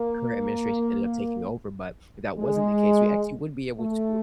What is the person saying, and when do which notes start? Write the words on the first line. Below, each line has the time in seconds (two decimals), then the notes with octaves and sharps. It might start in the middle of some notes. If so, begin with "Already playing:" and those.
current administration ended up taking over, but if that wasn't the case, we actually would be able to,
Already playing: A#3
2.38 G#3
3.79 A3